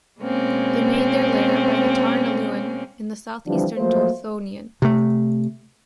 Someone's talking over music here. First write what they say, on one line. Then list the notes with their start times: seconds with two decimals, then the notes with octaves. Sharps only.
They made their lair by the Tarn Aeluin in south-eastern Dorthonion.
0.20 B2 G#3 A#3 C4 C#4
3.46 D3 E3 F3 G3 C4 D4
3.77 F3 F#3 A3 A#3 C5
4.82 C3 A3